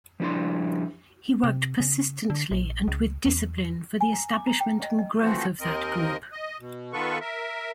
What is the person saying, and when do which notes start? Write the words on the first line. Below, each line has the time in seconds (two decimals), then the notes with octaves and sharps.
He worked persistently and with discipline for the establishment and growth of that group.
0.20 F3 G3 D4 E4 D5 C6
1.44 C3
1.80 C#3
2.30 D3
2.51 A#1
2.88 C#2
3.26 E2
4.01 G#5
4.13 A#5
4.34 D6
4.47 A#5
4.60 G5
4.82 D#5
4.99 D#5
5.22 E3 F3 A3 C4 F#4
5.61 D#2 C4 A#4 D#5
6.32 D#5
6.60 B2
6.93 D#3 B3 F4 A4 B4 C#6
7.21 A#4 E5